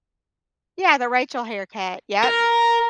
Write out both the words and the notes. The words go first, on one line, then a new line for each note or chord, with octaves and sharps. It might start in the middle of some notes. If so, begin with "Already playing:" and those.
Yeah. The Rachel haircut. Yep.
A#4